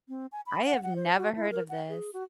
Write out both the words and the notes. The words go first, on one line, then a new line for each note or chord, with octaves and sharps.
I have never heard of this.
C4
G#5
B5
F#5
F#5
C5
F#4
E4
A#4
F#5
G#4
F#4